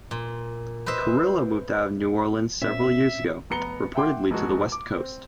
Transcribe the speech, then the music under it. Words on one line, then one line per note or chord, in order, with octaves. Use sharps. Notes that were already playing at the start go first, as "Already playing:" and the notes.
Carrillo moved out of New Orleans several years ago, reportedly to the West Coast.
A#2
B4 C5 D#5 E5
A#2 C4 C#4 E5
F1 B3 A#5 C#7 G7
E5 F#5 G5 C6 D6
F1 G#3 F#4
D6
C4